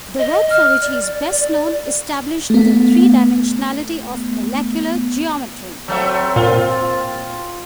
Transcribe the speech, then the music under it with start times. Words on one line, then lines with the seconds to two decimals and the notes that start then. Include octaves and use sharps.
The work for which he is best known established the three-dimensionality of molecular geometry.
0.19 D#5
0.50 F6
0.82 D5
1.30 D5
2.50 A3 B3
5.88 F#3 A3 C4 E5
6.36 A#2 F4